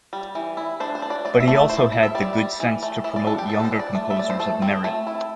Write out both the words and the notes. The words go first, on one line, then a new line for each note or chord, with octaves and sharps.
But he also had the good sense to promote younger composers of merit.
G3
E3
E4
D4 C5
C5
D4
D5
A3 D5
E5
A3
D5
E4 C5
E4
E5
G3 D5
G3
E3
A3
E3 E5
D5
D4 A4
G4
D4 A4
A4
C5
D4
D5
A3
E5
A3 D5
C5
A3 A4
C4
A3
E4